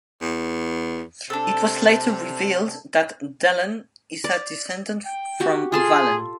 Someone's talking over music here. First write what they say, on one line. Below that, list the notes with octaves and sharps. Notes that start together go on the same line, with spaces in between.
It was later revealed that Delenn is a descendant from Valen.
E2
C3 D4 A4
D5
G5
F#4 G4
F4 G#4 A4 C6